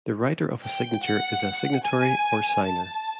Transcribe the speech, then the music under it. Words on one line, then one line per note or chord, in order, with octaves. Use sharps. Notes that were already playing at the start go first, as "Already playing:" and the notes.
The writer of a signature is a signatory or signer.
G5
F#5
G#5
A5